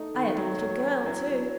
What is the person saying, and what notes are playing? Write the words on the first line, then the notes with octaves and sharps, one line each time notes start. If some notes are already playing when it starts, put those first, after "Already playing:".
I had a little girl, too.
Already playing: A3 D#4
D#3 D#4
F#3
F#3
F#3
F#3 E4
F#3